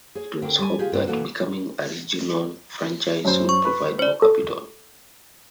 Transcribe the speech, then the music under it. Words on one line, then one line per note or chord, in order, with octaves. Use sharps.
It was hoped that becoming a "regional" franchise would provide more capital.
G#4 C#5
D3 C4 A#4
G3 G#5
F4 G4 G#4
G2 B3 C5
B2 E3 A#3 F#4 A4
F#2 F#3 C5
C#6
B4
C5 D5
A4